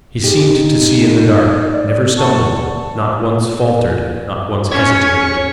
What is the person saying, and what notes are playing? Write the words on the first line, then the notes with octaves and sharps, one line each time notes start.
He seemed to see in the dark; never stumbled, not once faltered, not once hesitated.
D#4 G4 G#4
D5
F#5 A5 C#6
C#4 C#5